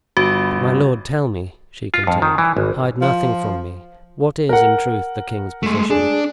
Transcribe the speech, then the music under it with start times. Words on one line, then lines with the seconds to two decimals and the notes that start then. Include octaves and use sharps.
But my lord, tell me," she continued, "hide nothing from me--what is, in truth, the king's position?
0.17 G1 F#4
1.94 F4
2.07 F2
2.22 D#3
2.38 E3
2.57 G#1
3.02 F3
4.49 A#4 F#5
5.63 G#3 A3
5.90 D4 G#4